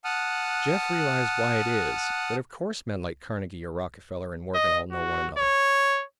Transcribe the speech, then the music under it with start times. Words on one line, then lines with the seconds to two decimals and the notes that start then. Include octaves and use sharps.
Jeff realized why it is that of course men like Carnegie or Rockefeller and Morgan all know one another.
0.05 F#5 A5 D#6 F6 F#6
4.55 D#5
4.92 F#4
5.38 C#5